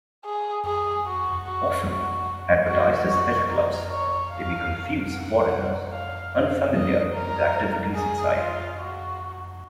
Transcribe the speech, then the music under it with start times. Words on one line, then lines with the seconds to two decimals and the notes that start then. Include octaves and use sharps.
Often advertised as "health clubs", they may confuse foreigners unfamiliar with the activities inside.
0.25 G#4
0.65 G#4
1.06 F#4
1.47 F#4
1.87 F#4
2.68 F#4
3.09 F#4
3.49 A#4
3.90 C#5
4.30 F5
5.11 F#5
5.92 F5
6.33 F5
6.74 D#5
7.14 A#4
7.95 G#4
8.36 F4
8.77 F#4